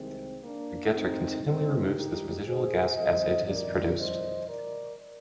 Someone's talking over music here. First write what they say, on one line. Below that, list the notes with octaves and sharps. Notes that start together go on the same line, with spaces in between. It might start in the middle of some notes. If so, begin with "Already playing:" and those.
The getter continually removes this residual gas as it is produced.
Already playing: C2 C3 D#3 G#3 C4
A#3 D4
G2 D#3 G#3 C4 D#4
C4 D#4
D#4 G4
G#4 C5
F2 D#3 G3 C5 D#5
A#4 D5
C5 D#5
A#4 D5